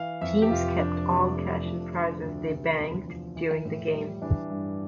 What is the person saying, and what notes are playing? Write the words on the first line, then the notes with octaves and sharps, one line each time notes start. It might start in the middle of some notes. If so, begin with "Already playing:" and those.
Teams kept all cash and prizes they banked during the game.
Already playing: E3 F5
F2 E5
G4
F1 F4
F3 D4
C3
A3
F3
D3
D2
C3
E2
F3
E3
A2
G3
E3 D4
G2